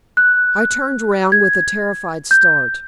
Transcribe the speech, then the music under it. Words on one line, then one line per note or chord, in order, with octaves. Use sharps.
I turned round with a terrified start.
F#6
G#6
G6